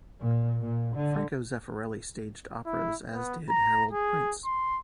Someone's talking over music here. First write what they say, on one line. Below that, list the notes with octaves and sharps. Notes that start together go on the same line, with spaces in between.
Franco Zeffirelli staged operas as did Harold Prince.
A#2
A#2
D3
E4
B3
A#5
G#4
C6